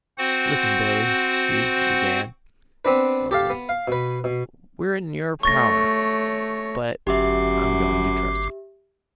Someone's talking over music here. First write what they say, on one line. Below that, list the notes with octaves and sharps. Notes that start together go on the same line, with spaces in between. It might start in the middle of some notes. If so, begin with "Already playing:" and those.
"Listen, Billy," he began, slowly; "we're in your power, but I'm going to trust you."
C4 F#4 C5 F#5
B3 C4 D4 B4
G4 A4 F5
B3
F5
B2 B4
B2
A3 C#5 C#6 A6 A#6
G1 F#2 G4 E5 D6 C7